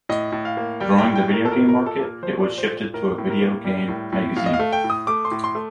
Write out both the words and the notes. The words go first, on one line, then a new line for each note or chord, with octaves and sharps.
Growing the video game market, it was shifted to a video game magazine.
A2 D#5
A2
F5
A#3
G3 G5
G5
A2
G5
A2
A#4
A4
A#2 A#4
A#4
A#2
A4
A#3
A#4
F3 C5
D5
A#2
C5
A#2
A2 A#4
A2
A#4
A#3
G3
A2
A2
A2 F5
D#5
F5
A3
G5
A2
D#6
A3 D6
C6
A2
C6
A3